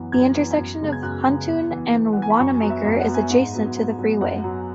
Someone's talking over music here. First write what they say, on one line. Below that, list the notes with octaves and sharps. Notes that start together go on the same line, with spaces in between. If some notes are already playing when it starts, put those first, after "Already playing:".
The intersection of Huntoon and Wanamaker is adjacent to the freeway.
Already playing: F#2 E3 B3
F#2 G#6
E3 B3
F#2
C#3 G#3 B3
G#6
F#2 F#6
C#3 G#3 B3
E2
E3 B3
E2
E3 B3 F#5
G#5
B5
F#2 C#6
G#5
F#3 B3
E5
F#2 E5
F#5
F#3 B3
G#5
G#2
F#3 B3
G#2
F#3 B3
F#2 F#5
F#3 B3